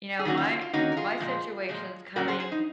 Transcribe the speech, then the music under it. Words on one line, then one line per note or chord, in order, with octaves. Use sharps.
You know, my my situation's coming
G#4
D#3 A#3 C#4 F#4
F4
F#4
F4
F4
D#3 A#3 C#4 D#4 F#4
A#4
F4 G#4
A#2 F3 G#3
A#2 F3 G#3
A#2 F#3 C#4 F#4 A#4
G#4 C5
G#4 C5
D#4